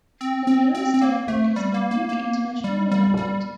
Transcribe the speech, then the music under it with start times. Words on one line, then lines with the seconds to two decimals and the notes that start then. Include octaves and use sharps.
The nearest airport is Norwich International Airport.
0.21 C4
0.47 C4
0.75 C4
0.94 C4
1.02 A#3
1.28 A3
1.56 G3
1.74 A#3
1.91 A#3
2.09 A#3
2.64 G3
2.91 G3
3.17 G3